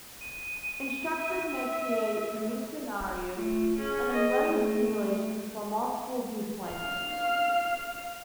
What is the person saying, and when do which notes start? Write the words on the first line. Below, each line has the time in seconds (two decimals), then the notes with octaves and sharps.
Instructors may create new scenarios and then run the simulation from multiple viewpoints.
0.21 D#7
1.17 E5
3.36 A3 F4
3.77 C#4 G#4
4.13 D#5
4.44 A3
6.69 F5 F6